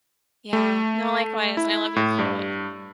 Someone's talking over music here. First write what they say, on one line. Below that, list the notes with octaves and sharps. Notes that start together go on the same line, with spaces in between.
Yeah, no, likewise, and I love your quote.
A3
E4
A2
G2